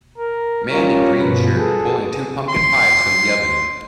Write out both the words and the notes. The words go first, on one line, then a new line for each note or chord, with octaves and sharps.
Man in green shirt pulling two pumpkin pies from the oven.
A#4
G3 C#4 F4 A#4 C#5
G2 B2 F3 B4
G#4 A4
C6